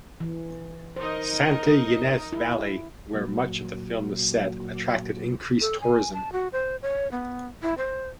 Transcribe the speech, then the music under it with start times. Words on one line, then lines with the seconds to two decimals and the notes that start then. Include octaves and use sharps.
Santa Ynez Valley, where much of the film is set, attracted increased tourism.
0.20 E3
0.96 D#4 A#4 C5 D#5
2.32 E4
3.13 A#2 F#3
5.60 A4
5.81 G#5
6.14 A5
6.32 F#4
6.52 C5
6.82 C#5
7.12 B3
7.62 E4
7.78 C5